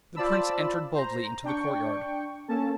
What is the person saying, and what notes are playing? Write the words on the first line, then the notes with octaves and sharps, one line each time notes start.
The Prince entered boldly into the courtyard.
F4 C5 D5 A5 B5 E6
C5 A#5
D4 G5 C#6
A#3 C#4 A4 A5